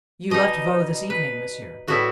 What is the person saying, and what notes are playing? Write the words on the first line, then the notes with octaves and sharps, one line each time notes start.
"You left Vaux this evening, monsieur?"
B2 G3 D#4 D#5
B4
A2 G3 B3 E4 F#4